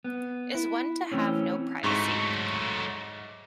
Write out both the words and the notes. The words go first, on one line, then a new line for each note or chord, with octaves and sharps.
Is one to have no privacy?
B3
E4
E3 A3 C4 C#4
G#2 F#3 A3 C#6